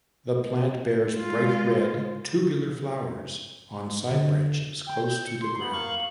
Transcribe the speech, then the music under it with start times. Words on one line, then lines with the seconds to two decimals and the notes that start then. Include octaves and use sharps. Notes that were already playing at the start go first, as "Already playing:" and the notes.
The plant bears bright red, tubular flowers on side branches close to the ground.
1.17 G#3 F4
4.11 D3
4.87 G5
5.04 G6
5.26 C#7
5.41 C6
5.60 B3 F#7
5.73 A#3 F5 C#6